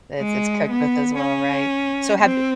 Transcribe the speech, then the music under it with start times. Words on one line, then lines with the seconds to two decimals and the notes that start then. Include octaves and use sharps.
It's it's cooked with as well, right? So have y
0.19 G#3
0.71 B3
1.21 C#4
2.23 C4